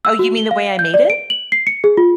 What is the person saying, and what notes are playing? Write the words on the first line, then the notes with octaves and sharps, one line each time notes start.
Oh, you mean the way I made it?
E6
F#4
G7
F5
G6
D5
D7
F#7
C7
C#7
G#4
F4